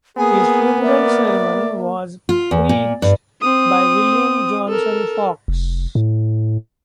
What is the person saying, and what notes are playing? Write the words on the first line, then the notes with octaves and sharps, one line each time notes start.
His funeral sermon was preached by William Johnson Fox.
A#3 B3 G#4 G#5
D5 E5
F4
E2
A#2
G2
C4 D#6
A4 A#4
F1
A2